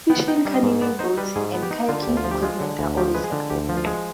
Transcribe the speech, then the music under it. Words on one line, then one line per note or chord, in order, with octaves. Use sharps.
Fishing, canoeing, boating, and kayaking equipment are always accessible.
B3 G5
D#4 G5
G3
D#5
G#2
B3 D5
D#4 C5
G3 B4
G#2 G#4
B3
G4
D#4
D3 F4
G4
D2
F4
F3
G4
G#3 F4
D3
D2
F3 G4
G#3 B4
G#4
D3
D2 G4
F3
F4
G#3